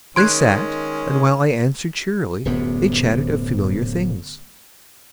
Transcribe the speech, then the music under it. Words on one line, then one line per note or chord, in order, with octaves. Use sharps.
They sat, and while I answered cheerily, they chatted of familiar things.
D#3 G#3 C#4 C6 F#6 G#6 D7
D1 F#2 C3 B3